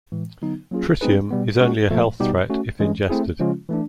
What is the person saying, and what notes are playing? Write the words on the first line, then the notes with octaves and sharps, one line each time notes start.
Tritium is only a health threat if ingested.
A2 E3 G#3
D3 F#3 B3 D#4
F#3 A#3 C#4 F4 G#4
G#3 C4 D#4 G#4 B4
B2 G3 B3
G#3 C#4 F#4
A#2 F3 A3
B2 G3 B3 D#4 G4
A3 C#4 F#4
E3 G#3 C#4
A3 C4 E4 G#4
C#3 F3 G#3 C#4 F4
E3 A3 D4